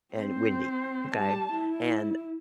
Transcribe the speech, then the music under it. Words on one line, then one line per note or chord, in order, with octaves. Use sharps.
and windy. Okay? And,
C4 C5
G3 A5
E4